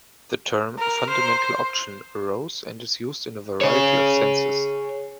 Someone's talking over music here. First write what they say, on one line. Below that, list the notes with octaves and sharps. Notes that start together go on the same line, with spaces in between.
The term "fundamental option" arose and is used in a variety of senses.
A#4
C5
G#4 C#5